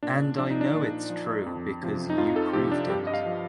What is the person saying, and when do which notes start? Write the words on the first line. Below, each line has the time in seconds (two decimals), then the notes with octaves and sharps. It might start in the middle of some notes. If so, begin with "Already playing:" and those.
And I know it’s true because you proved it.
0.03 A#2 D4
0.38 F3 D4
0.51 D#4
0.61 D4
0.74 A#2
1.10 F3
1.46 F2
1.83 C3 F3
2.10 D#4
2.18 F2 F4
2.36 A4
2.53 C3 F3 G4
2.72 D4
2.90 G2 G4
3.07 D#5
3.13 F5
3.26 F3